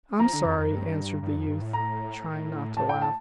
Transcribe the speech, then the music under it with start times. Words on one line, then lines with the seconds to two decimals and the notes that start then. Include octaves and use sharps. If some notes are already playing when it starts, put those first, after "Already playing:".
"I'm sorry," answered the youth, trying not to laugh.
0.19 F3 A#5
0.33 D3
0.45 F2
0.59 F2
0.71 G2
1.23 G2
1.36 F2
1.48 G2
1.62 A2
1.73 A#5
2.77 A2 A5
2.89 A2 G5
3.02 A5